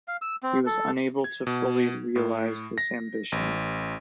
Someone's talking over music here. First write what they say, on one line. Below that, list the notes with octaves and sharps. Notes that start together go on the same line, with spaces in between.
He was unable to fully realize this ambition.
F5
E6
C4
A4
G#6
B2
A2
A#6
A1